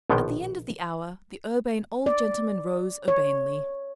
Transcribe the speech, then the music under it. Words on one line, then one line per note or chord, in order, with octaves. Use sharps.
At the end of the hour, the Urbane Old Gentleman rose urbanely.
A#1 B2 D#3 F3 B3 G5
D5
C#5